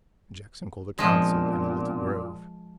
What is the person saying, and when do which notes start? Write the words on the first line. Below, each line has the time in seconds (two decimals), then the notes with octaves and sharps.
Jackson called a council in a little grove.
0.99 A#2 F3 G#3 B3 C4 D4